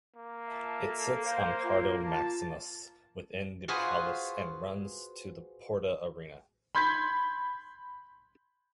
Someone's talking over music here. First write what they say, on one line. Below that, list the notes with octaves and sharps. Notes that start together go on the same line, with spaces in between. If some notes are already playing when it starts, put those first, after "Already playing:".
It sits on Cardo maximus within the palace and runs to the Porta Aenea.
A#3
F4 E5 A5
A4
C5 F5
F4
F4 A5
F4 F#4 G#4 B4 C5
B5 C6 G6 G#6 B6